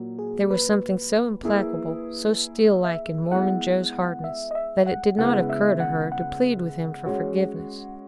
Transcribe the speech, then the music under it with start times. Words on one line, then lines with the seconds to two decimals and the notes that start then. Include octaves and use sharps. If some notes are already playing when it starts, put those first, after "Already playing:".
There was something so implacable, so steel-like in Mormon Joe's hardness that it did not occur to her to plead with him for forgiveness.
Already playing: A#2 F#3 A#3
0.19 G#4
0.51 B4
1.43 A#3 E4 G#4
2.84 E5
3.31 G#3 B3 E4 G#4 F#5
4.24 E5
4.51 D#5
4.55 E5
4.86 F#5
5.18 C#3 G#3 B3 E4 B4 F#5
5.50 E5
5.80 F#5
6.12 F#5
7.05 G#3 C#4 F#4 C#5